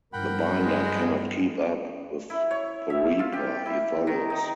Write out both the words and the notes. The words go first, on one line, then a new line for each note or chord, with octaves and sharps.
The binder cannot keep up with the reaper he follows.
G2 F3 A#4 F#5 G5 B5
G#3
E4
C#5
E5
F4
G4
E4
D#3
D#4